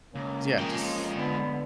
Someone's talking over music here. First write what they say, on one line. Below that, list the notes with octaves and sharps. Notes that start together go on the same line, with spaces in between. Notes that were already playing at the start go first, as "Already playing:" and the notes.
'Cause, yeah, just
C#2 A#3 C#4
F3 G#3 G5
D3 B3